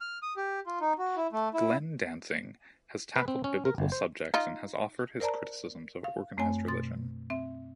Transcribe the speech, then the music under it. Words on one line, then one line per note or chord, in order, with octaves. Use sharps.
Glenn Danzig has tackled Biblical subjects and has offered his criticisms of organised religion.
F6
D#6
G4
F4
D#4
F#4
E4
A3
E4
B4
C4
C#4
A#4
G1
C5
D#4 F4
A#4 C5 D5 A5 A#5
F5
F#2 A3 C4 C#5 G#5
B2 C6 A6
C4 E5